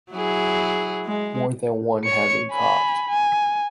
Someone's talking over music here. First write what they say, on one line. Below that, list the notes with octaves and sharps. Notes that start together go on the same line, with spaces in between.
More than one had been caught.
F#3 E4 G#4
G#3
C#5 C#7
G#5 B5
G#5